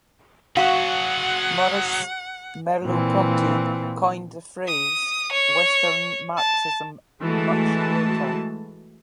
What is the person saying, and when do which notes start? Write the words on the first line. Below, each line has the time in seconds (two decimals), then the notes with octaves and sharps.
Maurice Merleau-Ponty coined the phrase "Western Marxism" much later.
0.57 F#3 F#4 G#4 F5 F#5 C#6
2.86 A#2 E3 C4
4.68 D#6
5.32 C#5
6.37 A5
7.23 E3 G#3 A3 F#4 A5